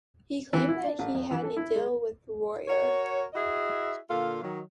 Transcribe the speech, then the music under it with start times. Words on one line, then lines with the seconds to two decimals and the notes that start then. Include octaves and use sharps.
He claimed that he had a deal with Royer.
0.53 E3
0.69 E4
0.84 D4
0.99 A1
1.14 F2
1.31 E3
1.43 A4
1.57 E4
1.75 G#3
2.68 F#4 A#4 C#5
3.33 E4 F#4 G#4 D#5 E5
4.10 A#2 D3 F4 A4 F5
4.43 D#3 F#3